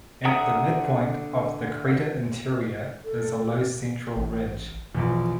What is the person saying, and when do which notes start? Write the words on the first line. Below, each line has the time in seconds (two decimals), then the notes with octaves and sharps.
At the midpoint of the crater interior is a low central ridge.
0.25 D3 E5 F#5 A#5 D#6
3.04 A4
4.16 A1
4.95 A#1 E2 B2